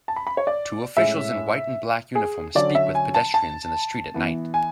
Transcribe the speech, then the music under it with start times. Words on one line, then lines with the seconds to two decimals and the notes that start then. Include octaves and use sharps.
Two officials in white and black uniforms speak with pedestrians in the street at night.
0.08 A5
0.16 B5
0.27 B5
0.37 C#5
0.47 D5
0.97 A2 G#3 C#4 E5
2.15 G#4
2.55 D3 F#3 C#4 D5
2.75 E5
2.95 G#5
3.15 A5
3.34 A5
4.14 E3 B3
4.54 G#5